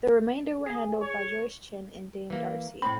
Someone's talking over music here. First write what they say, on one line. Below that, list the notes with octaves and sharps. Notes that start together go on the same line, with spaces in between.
The remainder were handled by Joyce Chin and Dame Darcy.
G#4
C#5
E3 A#3
A2 C4 B5